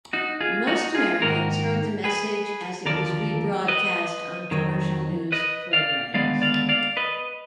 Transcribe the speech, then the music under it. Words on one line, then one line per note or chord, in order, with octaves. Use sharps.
Most Americans heard the message as it was rebroadcast on commercial news programs.
D#4 F#4
F4 G#4
D#4 F#4
F4 G#4
G#2 D#3 A#3 F#4 A#4
G#4 B4
D#2 D3 F3 A#4 D5
B4 D#5
F2 D#3 F#3
B4 D#5
D5 F5
D#2 D3 G#3 B3 D5 F5
D5 F5
D5 F5
B4 D#5